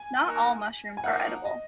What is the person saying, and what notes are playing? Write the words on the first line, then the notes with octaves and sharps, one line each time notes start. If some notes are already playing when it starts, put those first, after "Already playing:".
Not all mushrooms are edible.
Already playing: G#5
A#3 D#4 F#4 A#4
G#5
F3 A#3 D#4 A#4 F5 F#5
D#5